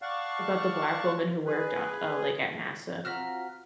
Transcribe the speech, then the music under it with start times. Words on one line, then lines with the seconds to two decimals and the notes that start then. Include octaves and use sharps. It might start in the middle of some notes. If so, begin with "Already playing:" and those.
about the black woman who worked, uh, uh, like, at NASA?
0.02 D5 F5 F#5 A5 C#6
1.46 G#4 B4
3.05 C4 F4 F#4 A#5 F6 F#6 B6